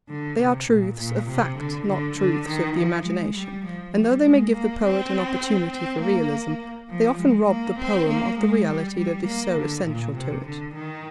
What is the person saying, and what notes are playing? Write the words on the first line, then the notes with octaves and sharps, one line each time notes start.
They are truths of fact, not truths of the imagination, and though they may give the poet an opportunity for realism, they often rob the poem of the reality that is so essential to it.
D3
C3
A#2
A#2
C3
D3
D3
D3
D#3
F3
G#3
G3
F3
G3
G#3
A#3
C4
C4
A#3
F3
G#3
A#3
C4
A#3
G#3
G3
G3
A#3
D3
A#2
C3
D3
D#3